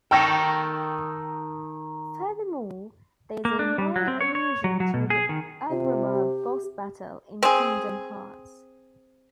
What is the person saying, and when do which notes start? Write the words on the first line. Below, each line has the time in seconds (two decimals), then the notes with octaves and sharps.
Furthermore, there is a mild allusion to the Agrabah boss battle in "Kingdom Hearts".
0.11 D#3 D#4 A4 G5 C#6
3.45 A#3
3.59 D4
3.78 G3
3.96 F#3
4.08 C4
4.21 C#5
4.35 C#5
4.64 F#3
4.80 F#3
4.94 B2
5.10 G#4
5.29 D#3
5.71 C3 F4
6.13 G4
7.43 C4 G#4